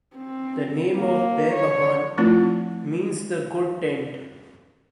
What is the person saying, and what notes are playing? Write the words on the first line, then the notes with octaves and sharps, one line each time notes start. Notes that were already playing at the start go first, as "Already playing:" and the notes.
The name of Behbahan means the "Good Tent".
C4
A#3
C#5
F3 A3 C4 E4 F4